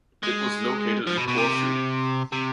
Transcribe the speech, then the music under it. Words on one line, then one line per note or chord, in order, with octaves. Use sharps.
It was located in Corfu.
G#3
F3
B2
B2
C3
C3